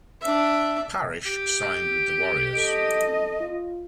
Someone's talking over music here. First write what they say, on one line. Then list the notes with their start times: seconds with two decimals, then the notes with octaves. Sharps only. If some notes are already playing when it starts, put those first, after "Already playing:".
Parish signed with the Warriors.
0.21 D4 E5
1.26 G4
2.57 A4 D#5
3.40 F4